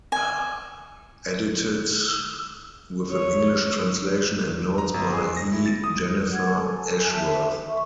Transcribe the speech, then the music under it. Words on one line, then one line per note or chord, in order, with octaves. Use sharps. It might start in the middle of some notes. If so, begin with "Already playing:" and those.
Edited with an English translation and notes by E. Jennifer Ashworth.
G#5
C#5
A#5
G1
G#4
A#6
E4
A6
D#6
F#5 G#6
A4 G#5
E5 A5
E5 C6 C#6